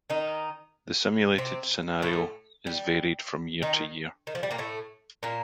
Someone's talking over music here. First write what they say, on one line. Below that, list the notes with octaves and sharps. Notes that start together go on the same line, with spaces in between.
The simulated scenario is varied from year to year.
D#3 D#4
C3 C4
A2 A3
G3
D#3
D#3
F3
G3
A#2 A#3
A2 A3
A#2 A#3